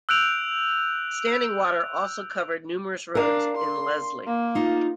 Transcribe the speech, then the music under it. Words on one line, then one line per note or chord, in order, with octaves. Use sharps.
Standing water also covered numerous roads in Leslie.
E6 F#6 G6 D7 F7
D4 A#4 F5
C6
A#3
D#4 F4